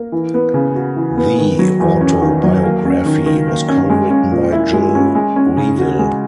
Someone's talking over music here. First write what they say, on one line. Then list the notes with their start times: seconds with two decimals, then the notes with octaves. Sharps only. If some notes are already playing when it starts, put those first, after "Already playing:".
The autobiography was co-written by Gil Reavill.
Already playing: A#3
0.12 E3
0.34 B3
0.54 C#3
0.75 F#4
0.97 E3
1.17 B3
1.38 D#3
1.59 F#3
1.80 E2
2.01 C#4
2.22 D#3
2.44 F#3
2.64 A#3
2.85 C#4
3.06 D#3
3.26 D#3
3.48 A#3
3.68 C#4
3.90 G#3
4.10 C#4
4.31 A#2
4.52 E4
4.73 G#3
4.95 C#4
5.15 G#3
5.36 C#4
5.57 C#3
5.78 F#4
5.99 G#3